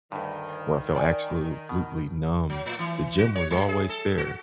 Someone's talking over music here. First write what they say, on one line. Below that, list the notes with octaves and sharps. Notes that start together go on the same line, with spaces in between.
where I felt absolutely numb. The gym was always there,
D2 G2 D#3
D5 G5 G#5
B2
F#3
A2
E3
F#4
C#5
G3
G#4
A4
F#4